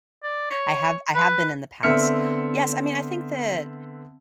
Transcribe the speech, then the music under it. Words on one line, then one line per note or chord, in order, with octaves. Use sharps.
I have I have been in the past. Yes, I mean, think that
D5
C#5
B4
D3 B3 C4 E5 F6 C#7